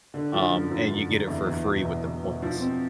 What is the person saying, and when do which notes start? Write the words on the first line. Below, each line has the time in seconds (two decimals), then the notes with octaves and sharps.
um, and you get it for free with the points.
0.14 D3
0.33 F3
0.51 F#2
0.71 F3
0.90 F#2
1.09 D3
1.28 E2
1.47 E2
1.66 B2
1.85 E2
2.04 E2
2.23 B2
2.42 F3
2.60 C4